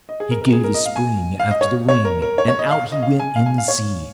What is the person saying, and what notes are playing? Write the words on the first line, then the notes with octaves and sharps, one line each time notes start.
He gave a spring after the ring, and out he went in the sea.
D#5
G#4
A#4
A#4
G#4
A#4
D#5
F5
G#5
F5
D#5
C#5
C#5
A#4
A#4
C#5
C#5
D#5
F5
D#5
F5
G#5
F5
G#5
F5
C#5